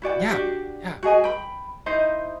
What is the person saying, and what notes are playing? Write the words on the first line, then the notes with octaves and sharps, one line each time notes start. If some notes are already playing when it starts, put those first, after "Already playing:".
Yeah, yeah.
E4 F#4 D5 G5
D4 F#4 G4
F#4 G#4 D#5 G#5
G5 B5
D#4 E4 C5 D#5